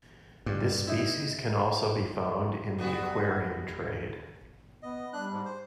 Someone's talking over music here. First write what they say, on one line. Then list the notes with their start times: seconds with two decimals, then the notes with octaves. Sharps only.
This species can also be found in the aquarium trade.
0.46 G2
0.87 D#4 E4
2.78 G3 B3 F#4
4.82 B3 D#5
5.13 G3 D4 F#6
5.32 G#2
5.45 C5